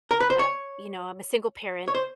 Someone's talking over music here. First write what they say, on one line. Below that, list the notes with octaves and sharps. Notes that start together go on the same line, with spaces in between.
uh you know, I'm a single parent
A#4
B4
C5
C#5
C#5
C5